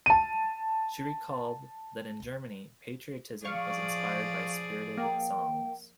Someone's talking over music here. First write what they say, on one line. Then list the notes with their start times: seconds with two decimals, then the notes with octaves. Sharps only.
She recalled that in Germany patriotism was inspired by spirited songs.
0.06 A5 D#7
3.45 F3 G#4 D5 F5 C#6
4.97 A#3 G5